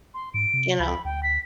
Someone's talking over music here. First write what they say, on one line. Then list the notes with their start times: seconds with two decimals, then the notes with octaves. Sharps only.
You know?
0.14 C6
0.34 G#2 D7
0.54 C3
0.80 C#2 B5
1.05 D2 G5
1.23 B6